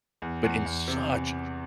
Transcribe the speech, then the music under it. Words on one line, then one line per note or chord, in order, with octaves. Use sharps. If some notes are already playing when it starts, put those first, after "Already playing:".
but in such
E2
E2
E2
C3